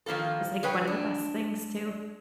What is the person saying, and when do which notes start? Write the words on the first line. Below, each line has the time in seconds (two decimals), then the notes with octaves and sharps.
is, like, one of the best things, too?
0.06 D#3 F3 A#3 F4 A4
0.63 G#4 B4 C#5 G5
0.87 D4